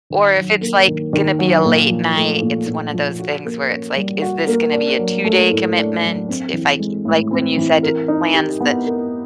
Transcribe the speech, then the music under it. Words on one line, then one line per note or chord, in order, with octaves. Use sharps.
Or if it's like gonna be a late night, it's one of those things where it's like, "Is this gonna be a two-day commitment?" If I k like when you said plans the
D#3
F#3
A#3
D#3
D#3
F#3
A#2
F3
A3
A#2
A#2
F3
F#4
A#3
C#4
G3
F#4
A#3
D4
F#3
A3
A2
D4
F#3
C4
E3
G#3
A2
C4
E3
A#4
D#4
G4
B3
A#4